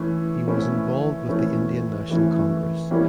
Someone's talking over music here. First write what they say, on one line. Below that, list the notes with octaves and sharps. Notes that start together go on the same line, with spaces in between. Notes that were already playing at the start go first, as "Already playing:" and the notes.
He was involved with the Indian National Congress.
Already playing: E3 A3 C#4 E4
E3 A3 C#4 E4
E3 A3 C#4 E4
E3 A3 C#4 E4
E3 G3 A#3 C#4 E4